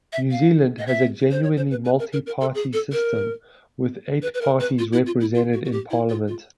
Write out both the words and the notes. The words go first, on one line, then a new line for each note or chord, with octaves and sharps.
New Zealand has a genuinely multi-party system, with eight parties represented in Parliament.
E5
F5
D#5
E5
C5
C#5
C5
B4
B4
A#4
A#4
A#4
A4
G#4
A4
A#4
B4
B4
A#4
B4
F4
E4
F4
E4
F4
F#4
F#4
G4
E4
F4
F4